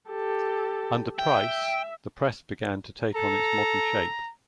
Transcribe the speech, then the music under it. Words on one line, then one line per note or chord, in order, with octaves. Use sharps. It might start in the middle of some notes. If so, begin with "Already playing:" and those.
Under Price, the Press began to take on its modern shape.
G4 A4
E5 G5
A4 A#5